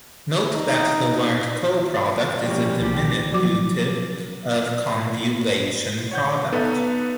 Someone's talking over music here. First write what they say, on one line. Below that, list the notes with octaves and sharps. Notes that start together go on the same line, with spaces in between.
Note that the word "coproduct" is a diminutive of "convolution product".
D#4
F3 G3 G#3 A#3 C#4
B1 E3 G4
F3 F#3 F#4 D6
C#5 F#5 G6
B3 D#4 A4 B4